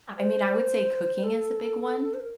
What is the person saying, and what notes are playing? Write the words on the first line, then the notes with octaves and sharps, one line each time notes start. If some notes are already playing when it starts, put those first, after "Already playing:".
I I mean, I would say cooking is the big one
C5
A4
C5
A#4